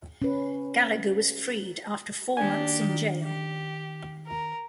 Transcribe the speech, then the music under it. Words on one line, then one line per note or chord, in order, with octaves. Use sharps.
Gallagher was freed after four months in jail.
C#4 B4
D#2 D4 G4 G#5
D#3
G4
A#4